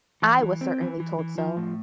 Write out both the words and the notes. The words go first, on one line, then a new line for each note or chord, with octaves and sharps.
I was certainly told so.
E3
E3
C4
E3
E3
E3
F3
A2